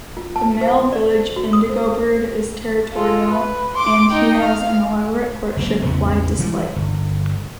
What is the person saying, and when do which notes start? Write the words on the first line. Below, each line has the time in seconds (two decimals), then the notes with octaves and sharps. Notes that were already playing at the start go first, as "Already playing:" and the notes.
The male village indigobird is territorial, and he has an elaborate courtship flight display.
0.17 F4
0.36 A5
0.61 C5
0.93 D5
1.36 F#4
1.53 D#6
1.69 C5
2.94 F4 A4
3.30 B4
3.74 C6 D6
4.11 D#4 G5
4.40 F5
5.57 F#1 A#3
5.84 A1 E2 C#3 B3
6.39 E3 F3 G3 G#3
6.76 G1